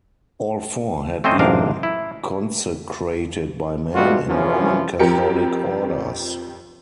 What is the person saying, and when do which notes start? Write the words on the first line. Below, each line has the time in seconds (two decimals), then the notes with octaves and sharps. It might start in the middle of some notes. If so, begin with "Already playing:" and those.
All four had been consecrated by men in Roman Catholic Orders.
1.24 A3 C4 C#4 C5 D#5
1.39 A1 G#2 C3 D4 A#4 F5
1.83 E4
3.94 B2 G3 A3 C4 F4 F#4
4.27 F#2 C3 E3 F3 C#4
4.99 F2 F3 G4 A#4 G5 C#7